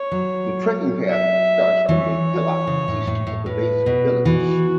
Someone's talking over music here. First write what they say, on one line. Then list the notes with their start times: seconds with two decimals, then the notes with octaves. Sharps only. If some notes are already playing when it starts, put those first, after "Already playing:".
The trekking path starts from the hillock east of the base village.
Already playing: C#5
0.11 F#3
1.10 E5
1.88 E3 C#5
2.67 C#3
2.88 A2
3.07 A2
3.27 A2
3.46 A2 B4
3.86 B2
4.25 E3 F#4